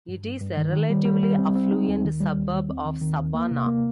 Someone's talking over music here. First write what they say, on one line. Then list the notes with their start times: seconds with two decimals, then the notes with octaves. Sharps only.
It is a relatively affluent suburb of Savannah.
0.08 G2
0.24 G2
0.41 G2
0.57 D#3
0.73 D#3
0.90 G3
1.05 G3
1.23 G3
1.38 C4
1.55 C4
1.71 D#4
1.88 D#2
2.04 D#3
2.20 G3
2.37 D#2
2.52 D#2
2.69 C4
2.85 D#3
3.02 D#3
3.18 D#2
3.34 A#3
3.51 C3
3.67 A#3